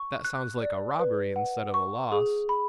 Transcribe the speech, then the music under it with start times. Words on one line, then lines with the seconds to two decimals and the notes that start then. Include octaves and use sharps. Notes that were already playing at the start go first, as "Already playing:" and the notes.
"That sounds like a robbery instead of a loss."
Already playing: C#6
0.25 F#6
0.62 D5
0.99 B4
1.36 F#5
1.74 C#6
2.12 G#4
2.49 B5